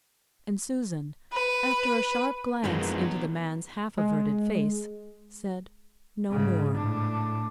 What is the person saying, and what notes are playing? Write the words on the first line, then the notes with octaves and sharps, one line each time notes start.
And Susan, after a sharp glance into the man's half-averted face, said no more.
B4
F#2 B2 D#3 F3 F#3 G#3 A#4 B4
G#3
G#2 C#3
A2 D4